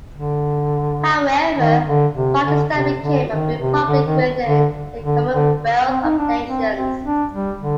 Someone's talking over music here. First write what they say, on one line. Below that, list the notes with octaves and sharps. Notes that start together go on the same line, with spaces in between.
However, Pakistan became a republic within the Commonwealth of Nations.
D3
D#3
D3
C3
D3
C3
D3
D#3
C3
D3
D#3
D3
D3
D3
C4
D#4
D4
C4
C4
D4
G3
D3